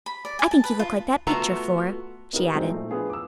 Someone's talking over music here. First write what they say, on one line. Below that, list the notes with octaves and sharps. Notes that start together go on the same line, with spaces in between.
"I think you look like that picture, Flora," she added.
B5
D5
G#5
A5
B4
F4
A3 B3 F4 F#4 A5 A#5
B3 D#4 G4 A#4
E3 F#3 G#3 C4 D#4
A#2 F3 A3
B3 D4 F4 G#4 B4
D6 E6